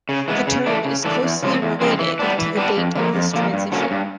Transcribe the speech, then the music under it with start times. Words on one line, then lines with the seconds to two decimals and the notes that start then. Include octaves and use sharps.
The term is closely related to the date of this transition.
0.09 C#3
0.28 E3 G#3 B3
0.47 C#3
0.66 E3 A3 D4
0.85 C#3
1.05 E3 A3 D4
1.23 E2
1.43 C#3 F3 G#3 C4
1.62 E2
1.81 C#3 F3 G#3 C4
2.00 E3
2.19 G3 B3 D4
2.39 E3
2.57 G3 B3 D4
2.77 F2
2.95 D3 F3 A#3
3.15 F2
3.34 D3 F3 A#3
3.53 G2
3.72 D3 F#3 A#3 C#4
3.91 G2